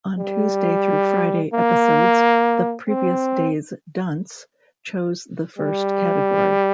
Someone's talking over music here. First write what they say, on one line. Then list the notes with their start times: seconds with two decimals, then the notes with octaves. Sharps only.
On Tuesday through Friday episodes, the previous day's dunce chose the first category.
0.19 G3
1.53 A#3
2.88 C4
5.59 G3